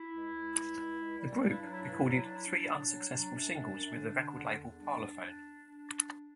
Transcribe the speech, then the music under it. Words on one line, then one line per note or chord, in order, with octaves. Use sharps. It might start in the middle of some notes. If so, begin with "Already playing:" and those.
The group recorded three unsuccessful singles with the record label Parlophone.
Already playing: E4
C#2
C#2
G3
C#2
C#2
G3
G2 D4
E4
F#3 D4
E4
G2 D4
E4
F#3 D4
E4
F#3 D4
E4
F#3 D4
A#2
F#3
F#3 D4
F#2
F#2
F#2
D3
D3
E2
E2
G3 D4